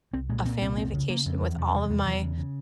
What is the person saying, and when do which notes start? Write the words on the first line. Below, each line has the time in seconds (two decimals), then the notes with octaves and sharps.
a family vacation with all of my
0.13 C2 C4
0.29 A#2 G#3
0.45 A#2 C4
0.62 C2 C4
0.77 F2 C4
0.94 C#3
1.10 C#3 A#3
1.26 F2
1.42 E2 F3
1.58 C3 F3
1.74 C3 G3
1.84 F3
1.89 E2 G3
2.06 E2 F3
2.21 C#3
2.38 C#3